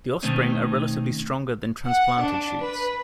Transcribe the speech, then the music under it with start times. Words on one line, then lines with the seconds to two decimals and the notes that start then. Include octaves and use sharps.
The offspring are relatively stronger than transplanted shoots.
0.23 B2 D#3 A3 C4 C#4 D#4
1.86 F#5
2.22 D4
2.60 B4